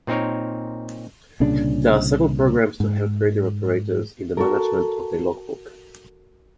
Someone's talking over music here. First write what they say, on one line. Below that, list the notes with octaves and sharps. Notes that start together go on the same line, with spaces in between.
There are several programs to help radio operators in the management of their logbook.
A#2 C4 D#4 A#4 C#5
C2 A#2 C#3 D4
G#2
F#4 A4 A#4